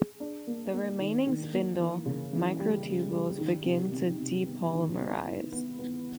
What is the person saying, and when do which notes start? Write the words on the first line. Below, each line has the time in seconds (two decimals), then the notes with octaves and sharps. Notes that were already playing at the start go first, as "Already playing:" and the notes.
The remaining spindle microtubules begin to depolymerize.
Already playing: G#4
0.20 D4
0.47 A#3
0.73 A#3
0.99 D#3
1.26 D#3
1.53 A#3
1.80 E3
2.06 C#3
2.33 E3
2.59 G3
2.86 G3
3.12 G3
3.38 D#3
3.65 C3
3.92 C3
4.19 C3
4.45 B3
4.72 D#3
4.98 B3
5.25 E4
5.52 B3
5.79 B3